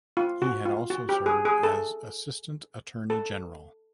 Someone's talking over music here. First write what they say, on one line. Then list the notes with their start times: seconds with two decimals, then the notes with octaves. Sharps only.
He had also served as Assistant Attorney General.
0.17 F4
0.42 F#4
0.66 F4
0.90 F#4
1.09 G4
1.26 G#4
1.45 G#4
1.63 A4
3.10 A4